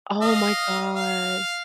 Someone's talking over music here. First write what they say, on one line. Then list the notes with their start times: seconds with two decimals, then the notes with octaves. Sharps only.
Oh my god.
0.22 D#5 F5
0.96 F5